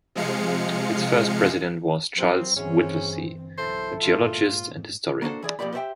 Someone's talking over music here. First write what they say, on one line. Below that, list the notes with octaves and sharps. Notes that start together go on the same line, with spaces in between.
Its first president was Charles Whittlesey, "a geologist and historian".
C3 F3 G#3 F5 C#7
D#2 F#3 C4
G1 E3 C4 C#4 E4 F#4 G#4
B1 E4 A4 C5
G1 G2 A#2 F4
G#2
A#3 D4 F#4 A4 C5
E3 G#4 D5
F2 A#2 F3 G4 D5 B5
G4 B4 C5 D5 E5 G5